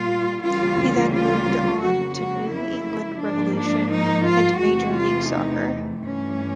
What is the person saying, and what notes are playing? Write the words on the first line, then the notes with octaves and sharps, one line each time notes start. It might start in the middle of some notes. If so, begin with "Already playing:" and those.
He then moved on to New England Revolution and Major League Soccer.
Already playing: A#2 G3 A#3 F4
D2 C#3 E3 G3 A#3 F4
F4
F2 C#3 F#3 A#3 F#4
F#4
E4
G#2 F3 A#3 D4
D4
D#4
F4
E2 C3 E3 A3 F#4
F4
D#4
G2 E3 A3 C#4